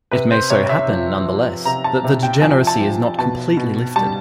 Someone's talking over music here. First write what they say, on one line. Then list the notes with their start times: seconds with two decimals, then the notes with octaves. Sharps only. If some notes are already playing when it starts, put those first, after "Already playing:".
It may so happen, nonetheless, that the degeneracy is not completely lifted.
0.11 C3 B4
0.31 C5
0.50 C3 C#5
0.69 E5
0.89 F3
1.27 F3
1.65 C3 A#5
1.84 A5
2.04 C3
2.23 G5
2.42 F3 G#5
2.67 A5
2.81 F3
3.18 B2 A5
3.57 B2
3.96 G3 A5